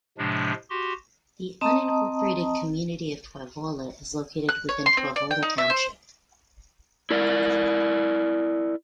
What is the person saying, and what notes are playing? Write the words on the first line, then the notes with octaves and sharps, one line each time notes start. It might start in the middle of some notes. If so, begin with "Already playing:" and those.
The unincorporated community of Toivola is located within Toivola Township.
A2 C3 F3 G#3 D4
F#4 G4 C6
C4 D#5 A5 A#5 D#6
F#6
C#5
C6
C4
D5
G5
D#4
E5
C5
E4 A#4 D5